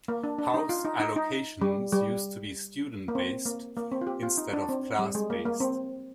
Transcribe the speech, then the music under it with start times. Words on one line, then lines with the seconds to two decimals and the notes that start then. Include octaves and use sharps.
House allocations used to be student-based, instead of class-based.
0.08 A#3
0.24 D4
0.39 D4
0.54 D#4
0.69 F4
0.85 D#4
1.00 D#4
1.16 D#4
1.62 G3
1.92 G3
3.08 A#3
3.15 C4
3.46 A#3
3.77 A#3
3.92 C4
4.01 F4
4.07 G4
4.23 F4
4.38 D#4
4.53 D4
4.69 C4
4.99 G3
5.15 G#3
5.30 A#3
5.45 A#3
5.60 C4